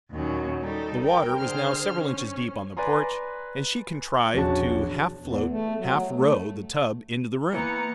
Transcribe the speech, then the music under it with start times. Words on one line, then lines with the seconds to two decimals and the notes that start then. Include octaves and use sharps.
The water was now several inches deep on the porch and she contrived to half-float, half-row the tub into the room.
0.11 D#2 A#2 D#3 F#3 C#4
0.61 G3 D#4 A4
1.03 A#4 G5
1.36 D3 G#4 C5 F6
1.95 C#4
2.77 B4 D5 G#5 A#5 C6
4.34 E1 A#1 C#4 D4 F#4 A5
5.20 E2
5.49 A3
5.78 F#3
6.15 A3
7.53 E3 A#3 B3 A#5 C#7